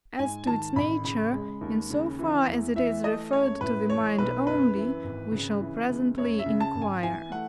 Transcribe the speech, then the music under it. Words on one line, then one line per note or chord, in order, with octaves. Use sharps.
As to its nature, in so far as it is referred to the mind only, we shall presently inquire.
G#2 G#5
D#3 A5
A1 B5
C#3 B5
G#3
D#2
C#3
E3
E2
E3 E5
A3 D#5
F#2 C#5
A2 B4
E3 C#5
B1 B4
F#2 B4
E3
G#1
C#3
E3
C#2
F#2 C#5
E5
C#3
A5
G#1
G#5
E3 G#5
A3 F#5